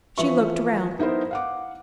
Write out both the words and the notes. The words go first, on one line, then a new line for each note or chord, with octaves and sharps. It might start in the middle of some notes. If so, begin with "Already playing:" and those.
She looked around.
E3 F3 B4 E5 C#6
B3 D#4 E4 A#4 C5
F5 F#5 D6